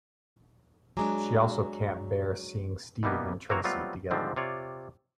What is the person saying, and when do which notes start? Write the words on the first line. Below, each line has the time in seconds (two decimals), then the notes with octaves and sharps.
She also can't bear seeing Steve and Tracy together.
0.97 F#3 G#3 D4 G#5 A#5 D6
3.03 B2 E3 G3 A#3 B3
3.49 E3 A#3 C4 F#4 C#5 A#5
3.64 F#3 G3 A3 B3 C4 F4
4.11 G#2 D3 D#3 F3 G3 C4
4.36 C3 F4 C#5 D5